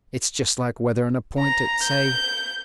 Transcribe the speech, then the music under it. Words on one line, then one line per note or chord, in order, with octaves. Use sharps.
It's just like weatherin' a point at say.
A#5
G6